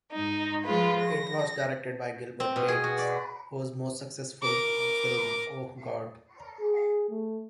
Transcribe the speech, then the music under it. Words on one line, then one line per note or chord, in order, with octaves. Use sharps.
It was directed by Gilbert Cates, whose most successful film Oh, God!
G#2 D#4
F3 G#3 F4 B4
A#6
C4
B2
G#4
F#4
D5
A#4 D6
G#4
A3